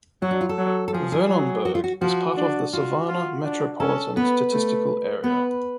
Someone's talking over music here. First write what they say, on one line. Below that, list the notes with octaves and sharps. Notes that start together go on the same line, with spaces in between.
Vernonburg is part of the Savannah Metropolitan Statistical Area.
F#3 F#4
D4
F4
A4
F#3
A4
F3 G#4
G#4
F#3
F#4
F4
F#4
F3 F#4
D4
F4 F#4
F4
D4
C#4 A4
B3 B4
A3
B3 B4